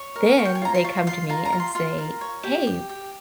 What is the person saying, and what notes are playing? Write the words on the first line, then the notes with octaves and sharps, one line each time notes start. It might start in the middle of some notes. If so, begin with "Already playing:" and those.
Then they come to me and say, "Hey,
Already playing: C#5 C#6
A#4
C#5
G5
G#5
F4 A#5
C6
F4 C#6
F4 C6
F4 A#5
A#5
F4
C6
F4 C6
A#4
C#5
G4
G4
G4